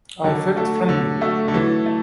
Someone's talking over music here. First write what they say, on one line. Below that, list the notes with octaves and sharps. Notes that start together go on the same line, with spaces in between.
I felt friendly.
D3 F#3
A3 F#4 A4 E5
D3 F#3
A3 F#4 A4 E5
D3
E3 F#3
A3